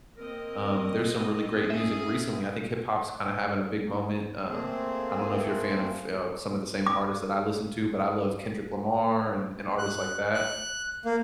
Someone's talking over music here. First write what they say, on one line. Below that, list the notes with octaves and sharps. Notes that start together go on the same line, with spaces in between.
um, there's some really great music recently, I think hip-hop's kinda having a big moment, um, I don't know if you're a fan of, eh, uh, some of the same artists that I listen to, but I love Kendrick Lamar and and artists like that.
A#3 C4 A#4 D#5
C#4 G#4 A4 E5 G#5
A3 A#3 C4 G#4 C5
D6
F#6
F#6
A#3